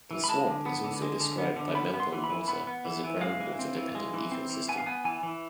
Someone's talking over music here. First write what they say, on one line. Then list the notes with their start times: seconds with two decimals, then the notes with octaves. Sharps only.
The swamp is also described by Melbourne water as a ground water dependent ecosystem.
0.11 E3
0.24 B5
0.28 G#3 A5
0.47 D3
0.66 B3
0.84 D3
1.02 G#3
1.20 D3
1.38 B3
1.56 D3
1.75 B3 B5
1.94 B3
2.00 C6
2.12 E3
2.24 B5
2.30 E3
2.48 B3 B5
2.67 B3
2.85 E3
3.04 E3
3.21 G#3 F5
3.40 E3
3.59 C4
3.76 E3
3.95 G#3
4.14 E3
4.32 C4
4.50 E3
4.68 B3 G#5
4.78 F5
4.86 B3 G#5
5.05 E3 G#5
5.23 E3